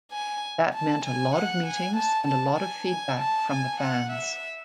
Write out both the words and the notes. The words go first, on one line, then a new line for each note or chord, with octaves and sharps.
That meant a lot of meetings and a lot of feedback from the fans.
G#5
A5
G#5
F#5
G#5
A5
A5
G#5
G#5
A5
G#5
F#5
E5